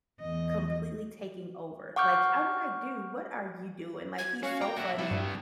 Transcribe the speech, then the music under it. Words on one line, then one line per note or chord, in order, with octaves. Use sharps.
completely taking over. Like, I'm, like, "Dude, what are you doing?" Like, he's so funny,
E2 D#5
F#5 C#6 D6 F6 G6
G#6
C#4 F#4 F5
G5 A#5
A#2 F#4 E5
C3 G3 E4
G2